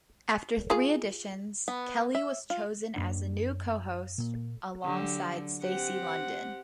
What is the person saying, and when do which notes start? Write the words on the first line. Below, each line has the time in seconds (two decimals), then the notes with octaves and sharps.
After three auditions, Kelly was chosen as the new co-host, alongside Stacy London.
0.70 F4 G#4
1.68 B3
2.15 E5
2.50 F4
2.96 F#2 A#3 D4
4.18 A#2 A#3
4.84 D3 F#3 G4
5.62 C4 G4 F#5